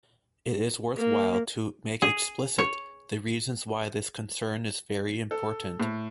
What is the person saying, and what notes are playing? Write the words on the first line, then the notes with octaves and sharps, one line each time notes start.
It is worthwhile to make explicit the reasons why this concern is very important.
A#3
G#4
C#5
A4
A2